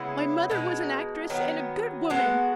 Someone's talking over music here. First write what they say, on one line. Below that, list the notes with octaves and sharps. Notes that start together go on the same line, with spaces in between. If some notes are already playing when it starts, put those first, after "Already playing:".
My mother was an actress and a good woman.
Already playing: C#3 G#3 B3 E4
B2 G#3 D#4
D#3 F#3 B3 D#4
G#3 B3 F#4 A4